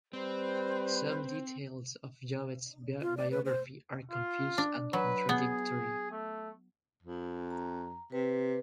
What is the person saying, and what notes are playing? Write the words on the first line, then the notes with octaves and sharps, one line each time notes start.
Some details of Llobet's biography are confused and contradictory.
G3 C4 B4 C5
F4
D5
B4
C5
F4
D4
F#3 B4
B3 G#4
A3
F2
A#5
C3 B4